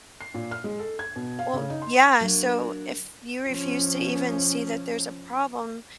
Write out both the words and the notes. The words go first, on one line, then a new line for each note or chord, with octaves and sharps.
Well Yeah, so, if you refuse to even see that there's a problem,
C7
A#2
F6
G#3
A4
G#6
B2
F5
C#3
D#4
C6
F#3 A#3 D4
F3 C#4